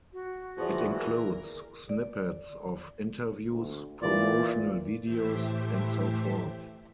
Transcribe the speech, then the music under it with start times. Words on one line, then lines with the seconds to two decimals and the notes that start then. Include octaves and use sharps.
It includes snippets of interviews, promotional videos, and so forth.
0.13 F#4
0.58 E2 A#2 E3 F3 G#4 D5
0.97 A#4
1.89 D5
3.49 D2
4.02 A#2 E3 D5
5.03 A2 E3 A3 G4 C5 E5